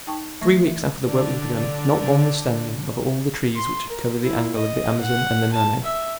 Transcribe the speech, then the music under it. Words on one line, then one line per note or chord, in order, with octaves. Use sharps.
Three weeks after the work was begun not one was standing of all the trees which had covered the angle of the Amazon and the Nanay.
D#4 G5 A5 C#6
E3 A3 C#6 A#6
E3
D3 D4
C6
A#4
E4
D#5
F#5
A5
E5